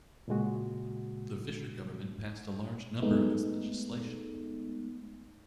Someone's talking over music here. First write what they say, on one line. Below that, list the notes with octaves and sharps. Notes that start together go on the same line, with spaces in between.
The Fisher government passed a large number of its legislation.
A#2 C#3 G#3 F#4
G#3 A3 B3 D#4